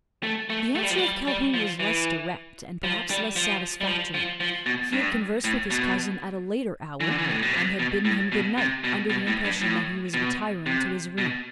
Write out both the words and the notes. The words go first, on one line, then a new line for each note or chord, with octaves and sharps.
The answer of Calhoun was less direct, and, perhaps, less satisfactory. He had conversed with his cousin at a later hour, and had bidden him good night, under the impression that he was retiring to his room.
A3
A3
A3
G3
F3
G3
G3
F3
E3
F3
G3
F3
G3
F3
F3
F3
B2
G2
A2
B2
E3
D3
E3
A2
B2
C3
B2
A2
B2
C3
B2
B2
A2
G2
A2
B2
C3
B2